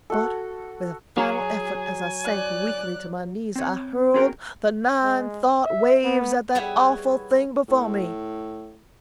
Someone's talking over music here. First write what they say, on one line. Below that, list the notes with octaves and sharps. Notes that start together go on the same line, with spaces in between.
But, with a final effort, as I sank weakly to my knees I hurled the nine thought waves at that awful thing before me.
F#4 A4
F#3 G#4 G#5
D5 F#6
C4 C#5
C#4 F#4 G#4 A#4 E5 G5
G#3
E5
B3
G3 B3 E4 G#4 C#5
A2